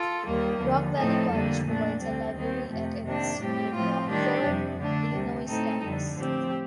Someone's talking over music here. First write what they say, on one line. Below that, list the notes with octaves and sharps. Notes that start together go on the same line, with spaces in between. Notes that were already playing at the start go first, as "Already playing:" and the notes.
Rock Valley College provides a library at its main Rockford, Illinois Campus.
Already playing: F4 A4
D#2 D#3 G3 A#3
D#2 D3 F3
A2 F3 C4 D#4 A4
F2 D3 G3 A#3
A#2 A3 D4
D2 D3 G3 C4
D#2 D#3 G3 C4
F2 C3 F3 A3
C3 D#3 A#3 D4
A2 G3 C4 G4
A2 F3 A3 C4 F4
D#3 G3 D4 G4
F2 C3 G3
D3 A3 D4
D2 C3 G3
A2 A3 C4 D#4 A4
F2 D3 G3
A2 F3 C4 G4